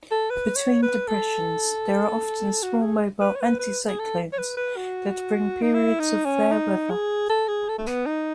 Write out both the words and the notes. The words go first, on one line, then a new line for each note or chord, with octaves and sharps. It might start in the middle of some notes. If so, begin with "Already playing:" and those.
Between depressions there are often small mobile anticyclones that bring periods of fair weather.
A4
B4
C#5
B4
A4
F#4
G#4
B4
C#5
B4
B4
G#4
A4
C#5
B4
B4
F#4
D#4
E4
D#4
C#4
D#4
G#4
A4
G#4
A4
A3
B3
D#4